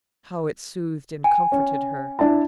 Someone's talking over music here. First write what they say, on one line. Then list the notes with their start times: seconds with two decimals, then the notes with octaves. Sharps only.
How it soothed and comforted her.
1.24 G5 G#5
1.52 C#4
2.19 D4 E4 A5